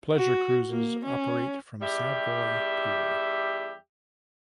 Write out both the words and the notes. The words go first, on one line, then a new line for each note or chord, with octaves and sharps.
Pleasure cruises operate from Savoy Pier.
F#4
A#3
C#4
E2 G3 G4 E5